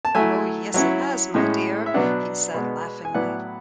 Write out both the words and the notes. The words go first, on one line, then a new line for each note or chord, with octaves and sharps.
"Oh, yes, it has, my dear," he said laughingly.
A5
F#3 A3 E4 E5 G#5
F#3 C#4 E4
A2 G#3 C#4 E4
E5
B2 F#3 B3 D4 D5 F#5
B2 G#3 B3
G#5
A2 F#3 B3 E4 D5 F#5